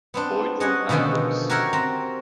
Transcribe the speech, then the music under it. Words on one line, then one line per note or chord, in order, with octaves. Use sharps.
Boyd wrote nine books.
B3 C4 D4
C#4 D#5 F#5 G#5
B2 D3 D#3 F3 A3 C#4
F#4 G4 A#4 C#5 E5 F#5
C4 A#5